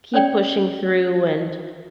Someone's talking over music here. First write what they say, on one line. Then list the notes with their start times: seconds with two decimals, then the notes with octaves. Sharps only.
keep pushing through, and
0.14 C#4 C#5 D5 G5